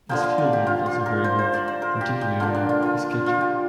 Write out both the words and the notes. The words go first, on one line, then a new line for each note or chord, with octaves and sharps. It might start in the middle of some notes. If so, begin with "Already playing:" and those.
His fielding is also very good, particularly his catching.
D3 F3 A#3 G5
F5
D5
G4
F4
F4
A#4
C5
C5
D5
C5
A#4
G4
G4
D3 A#3 D4 F4
D4
F4
F4
F4
F4
F4
G4